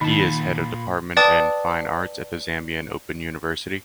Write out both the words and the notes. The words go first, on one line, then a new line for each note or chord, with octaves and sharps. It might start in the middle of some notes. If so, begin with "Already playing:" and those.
He is Head of Department in Fine Arts at the Zambian Open University.
A#2 D#3 A5 B5
B4 D5 G5 A5 D6 D#6